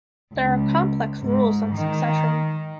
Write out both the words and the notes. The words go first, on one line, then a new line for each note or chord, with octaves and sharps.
There are complex rules on succession.
C#2
G#2
D#3